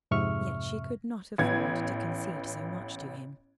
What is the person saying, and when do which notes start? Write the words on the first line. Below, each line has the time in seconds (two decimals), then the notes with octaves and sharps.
Yet she could not afford to concede so much to him.
0.11 F2 G#2 C3 E5 C#6 F6
1.38 A1 B3 G#6